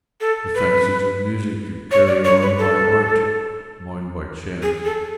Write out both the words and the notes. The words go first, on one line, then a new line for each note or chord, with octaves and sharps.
The fancies of music are carried on by art; mine by chance.
A4
B4
C#5
D5
C#5
B4
A4
G#4
A4